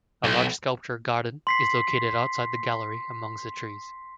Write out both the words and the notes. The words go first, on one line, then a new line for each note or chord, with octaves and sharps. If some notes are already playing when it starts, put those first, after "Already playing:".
A large sculpture garden is located outside the gallery amongs the trees.
B1
C6 B6 C7